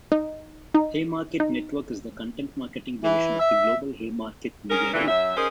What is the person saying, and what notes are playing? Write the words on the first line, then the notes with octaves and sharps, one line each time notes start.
Haymarket Network is the content marketing division of the global Haymarket Media Group.
D#4
D#4
D#4
E3
E5
C#4 G#4 A#4
A#2 D3 E3
F#2 F#3 E5
C#4 D#4 G#4 A#4 C5